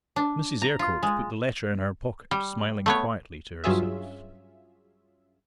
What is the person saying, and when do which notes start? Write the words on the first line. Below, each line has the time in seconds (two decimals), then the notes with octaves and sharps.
Mrs. Eyrecourt put the letter in her pocket smiling quietly to herself.
0.16 D4
0.62 A#5
0.79 F4
1.03 G#3
2.31 G3
2.86 A3 B3 C#5
3.64 G2 F#3 C#4 F4 G#4 E5